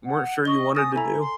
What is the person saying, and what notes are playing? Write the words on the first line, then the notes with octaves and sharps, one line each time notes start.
weren't sure you wanted to do?
F#5
D#5 C#6 G7
G#5 D#6 A6 A#6
E4 A4 G#5 A#5
C6